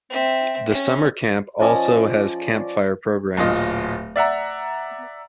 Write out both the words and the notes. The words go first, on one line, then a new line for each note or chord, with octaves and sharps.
The summer camp also has campfire programs.
C4 E5
C#4
F3 C#4 D5 D#5
D1 A#2 F4 D#5
D5 E5 F#5 A#5